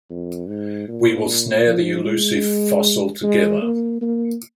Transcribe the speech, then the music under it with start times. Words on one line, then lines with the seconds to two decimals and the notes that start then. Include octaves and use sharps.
We will snare the elusive fossil together.
0.10 F2
0.49 G#2
0.88 A#2
1.67 F3
2.06 G#3
3.23 G#3
3.62 A#3
4.02 A#3